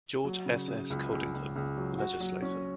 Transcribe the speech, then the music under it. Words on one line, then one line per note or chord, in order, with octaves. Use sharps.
George S. S. Codington, legislator.
F#3
C#3
C#3
C#2
C#2
C#2
C#2
F#3
F#4
F#3
C#4